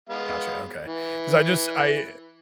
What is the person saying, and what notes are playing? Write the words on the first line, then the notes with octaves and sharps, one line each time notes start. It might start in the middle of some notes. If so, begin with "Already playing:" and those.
Gotcha, okay, 'cause I just I
G#3 B3 F5
E3